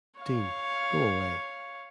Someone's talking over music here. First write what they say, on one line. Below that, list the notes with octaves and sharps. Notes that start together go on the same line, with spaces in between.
Dean, go away.
C#5 F5